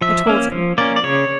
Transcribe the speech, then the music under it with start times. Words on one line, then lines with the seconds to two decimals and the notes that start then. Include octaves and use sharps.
I told him.
0.01 F3 E5
0.27 A#3 C#4
0.52 F3
0.78 A#3 C#4 D5
0.96 D5
1.03 C#3 C#5